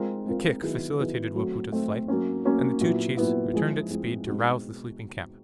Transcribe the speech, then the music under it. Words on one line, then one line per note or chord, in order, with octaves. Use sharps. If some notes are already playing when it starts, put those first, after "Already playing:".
A kick facilitated Wapoota's flight, and the two chiefs returned at speed to rouse the sleeping camp.
Already playing: G#3 C4 F4 A#4
G#3 C4 F4 A#4
D#3 F#3 B3 E4 G#4
D#3 F#3 B3 E4 G#4
F#3 A3 C4
F#3 A3 C4
F#3 A#3 C#4
F#3 A#3 C#4
A#2 F#3 B3 E4
A#2 F#3 B3 E4
F3 G#3 C4 E4 G#4
F3 G#3 C4 E4 G#4
B2 G#3 C4 D#4 F#4